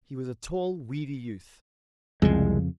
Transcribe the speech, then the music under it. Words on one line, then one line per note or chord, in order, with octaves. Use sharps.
He was a tall, weedy youth.
C2 F2 C#3 F3 G3 G#3